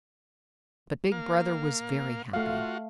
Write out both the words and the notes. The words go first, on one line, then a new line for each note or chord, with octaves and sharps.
But Big Brother was very happy.
A#3 F5
A3 F4 F#4 F5